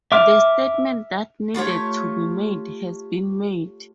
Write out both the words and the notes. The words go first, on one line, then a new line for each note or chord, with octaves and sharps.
The statement that needed to be made has been made.
E5 D6 F6
A3 F4 G4 C#5